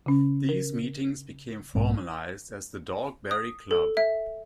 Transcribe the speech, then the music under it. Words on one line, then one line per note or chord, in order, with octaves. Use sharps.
These meetings became formalised as the Dogberry Club.
C#3 C#4
A#4
B1 G#2 C4
D#6
A4
E5